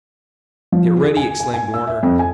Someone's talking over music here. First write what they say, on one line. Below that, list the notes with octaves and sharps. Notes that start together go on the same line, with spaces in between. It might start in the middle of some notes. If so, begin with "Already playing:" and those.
"Get ready!" exclaimed Warner.
F3
G#4
G#5
G#5
G#5
E6
E5
F2
G#5